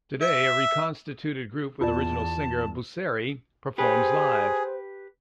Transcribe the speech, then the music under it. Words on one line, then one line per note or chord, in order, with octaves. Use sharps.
Today, a reconstituted group, with original singer Busseri, performs live.
E5
E2 F4 D5 A5
G4 G#4 B4 C5